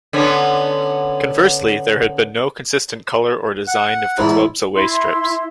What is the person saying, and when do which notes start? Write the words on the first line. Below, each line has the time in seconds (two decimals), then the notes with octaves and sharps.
Conversely, there has been no consistent colour or design of the club's away strips.
0.13 D3 B3 C#4
3.67 F#5
4.18 E2 G#2 E4
4.75 E4 C6